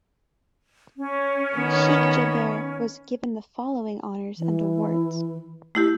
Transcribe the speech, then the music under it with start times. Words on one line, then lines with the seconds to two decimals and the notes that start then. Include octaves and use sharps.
Sheikh Jaber was given the following honors and awards.
0.97 C#4
1.56 D#3 B3
4.38 E3
5.75 A3 E4 G4